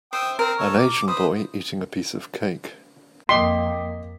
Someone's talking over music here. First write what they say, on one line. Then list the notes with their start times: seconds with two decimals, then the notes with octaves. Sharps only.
An asian boy eating a piece of cake.
0.13 C5 E5 G5 D#6
0.39 C4 A#4 C5
0.58 A4 C#5
0.78 D6
1.08 B4 C5 D#6
3.29 F2 A#3 D#5 G5 C6 D6 D#6 B6